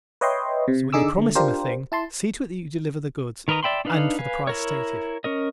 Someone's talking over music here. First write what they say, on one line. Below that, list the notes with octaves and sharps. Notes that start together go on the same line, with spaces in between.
So when you promise him a thing see to it that you deliver the goods and for the price stated.
B4 C#5 D#5 E5 G5 C6
C3
D3 D#4 G#4 D6 E6
D3 A3
D4 F4 G4 A#4 C5
E4 A5 C6
D#3 A#4 B4 D#5 A#5
D5 E5 G5 B5 C6
D4 D#4 B4 F5
B4 F5 G#5
E4 A#4 C#5
C#4 A#4 D#5